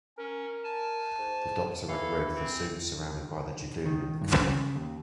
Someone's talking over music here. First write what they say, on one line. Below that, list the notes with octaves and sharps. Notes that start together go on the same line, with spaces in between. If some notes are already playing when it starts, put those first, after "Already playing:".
The Doctor and Ruth are soon surrounded by the Judoon in the cathedral.
C#4 A#4
G#5 A5
G#2
E3 A4 F5
C4
D#3
G2
C#3
D#2